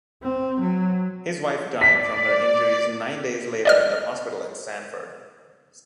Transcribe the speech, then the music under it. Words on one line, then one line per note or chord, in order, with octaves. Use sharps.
His wife died from her injuries nine days later at the hospital in Sanford.
C4
F#3
D5 B6
D5 D#5 F6